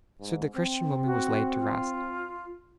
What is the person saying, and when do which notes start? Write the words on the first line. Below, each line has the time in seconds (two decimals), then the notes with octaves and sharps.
So the Christian woman was laid to rest.
0.20 G#2
0.55 C4
1.05 F#4
1.59 F4